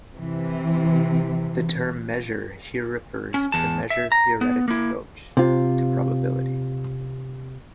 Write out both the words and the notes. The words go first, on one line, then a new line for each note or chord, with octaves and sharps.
The term "measure" here refers to the measure-theoretic approach to probability.
C3 E3
C#4
E2 A5
E5
A#5
B3
A#3 E4
C3 F4